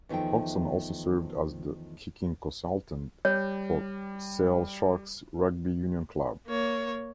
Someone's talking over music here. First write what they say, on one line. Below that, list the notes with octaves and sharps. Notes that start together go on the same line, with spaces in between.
Hodgson also served as the kicking consultant for Sale Sharks Rugby Union Club.
E2 D#3 F3 A3 G5
G3 C#5
A#3 C#5